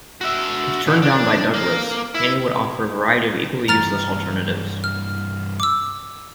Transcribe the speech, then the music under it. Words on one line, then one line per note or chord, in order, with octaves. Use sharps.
If turned down by Douglas, Haney would offer a variety of equally useless alternatives.
F#4 E5
A#2 E3
D4
A#3
E4
G2 E3 A#5 F6 A6
F6
D6 E6